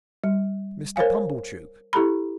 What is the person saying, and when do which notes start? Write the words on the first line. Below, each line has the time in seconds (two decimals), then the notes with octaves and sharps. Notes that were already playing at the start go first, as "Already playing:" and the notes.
"Mr. Pumblechook."
0.24 G3
0.96 A#4 C5 C#5 F5 G#5
1.93 E4 G4 A4 A#5 B5